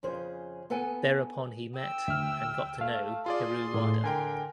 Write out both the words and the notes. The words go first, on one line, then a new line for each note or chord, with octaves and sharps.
Thereupon he met and got to know Hiroo Wada.
F2 C#3 C#4 G#4 C5
B3 A4 B4 G5 G#5
G5 E6
D2 E5 F6
A3 F5
F4 G#4 D5 C6
A2
D3 A#4 G5 G#5